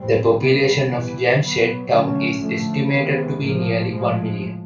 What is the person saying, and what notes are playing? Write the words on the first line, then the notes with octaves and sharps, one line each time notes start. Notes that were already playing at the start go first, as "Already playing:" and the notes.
The population of Jamshed Town is estimated to be nearly one million.
Already playing: B2 G3 C4
D3 G3 B3
E3 G3 B3
A#2 F#3 B3
D3 F#3 A3 C#4
D3 F3 A3
C3 D#3 G#3 B3
A2 F3 A#3
A2 F3 G#3